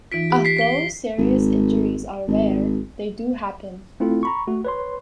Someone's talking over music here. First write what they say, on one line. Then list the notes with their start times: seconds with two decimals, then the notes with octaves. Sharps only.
Although serious injuries are rare, they do happen.
0.12 E3 D#4 F4 B6 D7
0.30 G4
0.45 B6 C7
0.58 B6 G7
1.18 G#1
2.28 G#1
4.00 A3 C4 E4 F4 A4
4.23 A#5 B5 C#6
4.47 A3 F#4
4.65 B4 C#5 C6